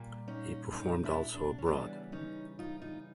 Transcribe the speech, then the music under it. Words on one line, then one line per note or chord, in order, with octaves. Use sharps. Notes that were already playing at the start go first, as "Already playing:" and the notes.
He performed also abroad.
Already playing: A#2 G3 A#3
C#4 D#4
C#4 D#4
D4 E4
D4
C#4
C#3 E3 G3 B3 D4
C#4 D#4
D#4 F4
D#4 F4